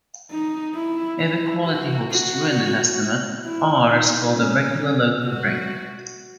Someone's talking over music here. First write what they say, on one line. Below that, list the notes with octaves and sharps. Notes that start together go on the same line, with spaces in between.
If equality holds true in this estimate, "R" is called a regular local ring.
D#4
E4
E4
F#4
F#4
E4
D#4
C#4
F#4